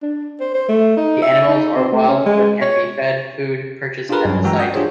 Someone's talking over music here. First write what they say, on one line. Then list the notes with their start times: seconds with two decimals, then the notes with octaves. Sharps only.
The animals are wild but can be fed food purchased at the site.
0.03 D4
0.40 C5
0.54 C5
0.69 A3
0.97 D#4
1.22 E5
1.48 D#4
1.76 C4
1.92 A3
2.08 C#4
2.26 G#3
2.62 C#5
4.09 D4 F4 G4 G#4 A#4 B4
4.25 G2 F#3 C#4
4.44 E3 G#3 F#4 G5 A#5 E6
4.59 F#5 D#6 G6
4.73 D4 F4 G4 G#4 C5 C#5